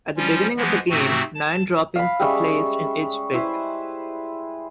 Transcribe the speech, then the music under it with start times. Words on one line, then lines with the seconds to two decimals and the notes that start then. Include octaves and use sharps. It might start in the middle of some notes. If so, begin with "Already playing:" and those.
At the beginning of the game, nine droppings are placed in each pit.
0.17 F3 G3 C#4 F4
0.57 E3 F3 G#3 B3
0.90 G#2 C3 A3 C4 F#4
1.35 A5
1.96 F5 B5
2.19 G3 G#3 C#4 E5
3.33 E4 B4 C5 E5